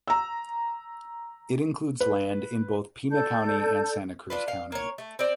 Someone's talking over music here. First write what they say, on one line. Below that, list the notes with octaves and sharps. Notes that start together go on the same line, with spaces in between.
It includes land in both Pima County and Santa Cruz County.
A#5 E6
B4
A4 D5 A5 G6
D4 F4 B4
F5
A#3 C#5
A3
C4 D5